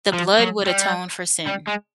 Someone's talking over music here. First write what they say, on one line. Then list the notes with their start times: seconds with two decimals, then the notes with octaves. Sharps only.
the blood would atone for sin,
0.13 F3
0.40 F#3
0.67 G3
1.47 G3
1.68 G#3